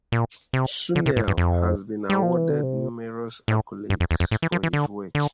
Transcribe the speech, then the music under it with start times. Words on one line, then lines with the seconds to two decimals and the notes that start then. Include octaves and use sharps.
Suneel has been awarded numerous accolades for his work.
0.12 A#2
0.53 C3
0.96 D3
1.06 C3
1.16 A2
1.28 G2
1.37 F2
2.10 G3
2.23 F3
2.37 E3
2.50 D3
2.63 C3
3.48 A2
3.90 G2
4.00 F2
4.11 E2
4.20 F2
4.31 A2
4.42 E3
4.52 F3
4.63 E3
4.73 D3
5.15 D3